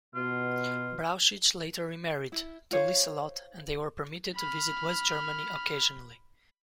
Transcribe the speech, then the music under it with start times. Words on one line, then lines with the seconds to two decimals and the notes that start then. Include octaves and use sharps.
Brauchitsch later remarried, to Lieselotte, and they were permitted to visit West Germany occasionally.
0.15 B2 F4
2.32 E4
2.71 F4 C5 C#5 F5
4.36 B5 F6